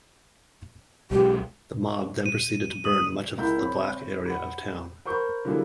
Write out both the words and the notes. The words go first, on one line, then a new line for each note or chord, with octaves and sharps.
The mob then proceeded to burn much of the black area of town.
B1 F#3 G#3 G4
D#7
D#6
C#2 E4 A#4 B5 G6
C4 C#5 B5
F#5 B5
A#4 C5 B5 C#6 G6
D3 F#3 G3 A#3 E4 G#4